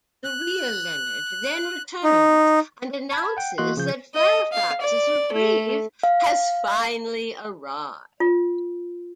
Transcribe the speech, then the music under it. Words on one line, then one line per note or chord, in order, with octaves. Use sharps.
The real Leonard then returns and announces that Fairfax's reprieve has finally arrived.
F#6
D#4
A5 B5 G#6
F#5 G5
E3 A#3 F#4 D#5 C6 F#6
C#3 F3 G6
D#5
F5
D5
A3
F5
F4